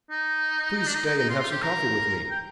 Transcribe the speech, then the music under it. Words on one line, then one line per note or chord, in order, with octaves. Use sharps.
"Please stay and have some coffee with me."
D#4
D4
D#4
D#4
D#4
F4
F4
G4
A#4
G5